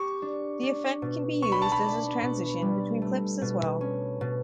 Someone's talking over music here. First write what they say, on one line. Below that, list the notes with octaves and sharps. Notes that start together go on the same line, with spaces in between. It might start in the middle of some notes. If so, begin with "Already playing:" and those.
The effect can be used as a transition between clips as well.
Already playing: G4 C#6
D4
D4
B2
D4 C#6
B5
A5
B5
D4
B2
G3
A3
B2
C#4
B2